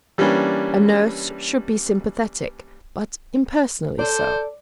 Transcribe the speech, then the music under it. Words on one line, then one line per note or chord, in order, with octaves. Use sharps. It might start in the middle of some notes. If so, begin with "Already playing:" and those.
"A nurse should be sympathetic, but impersonally so."
E3 G3 A#3 C#4 D4
A4 C5 D5